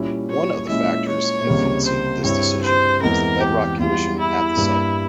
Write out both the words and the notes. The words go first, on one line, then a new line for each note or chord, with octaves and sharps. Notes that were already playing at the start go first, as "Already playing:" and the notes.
One of the factors influencing this decision was the bedrock condition at the site.
Already playing: A#2 G3 A#3 C#4 E4
C#5
A#2 G#3 C#4 E4 E5
C#5
C#2 C3 G3 A#3
C5
G2 G3 C4 E4 C#5
C5
E2 E3 G#3 C4 A#4
G4
E2 E3 G3 F4
E4
G2 G3 A#3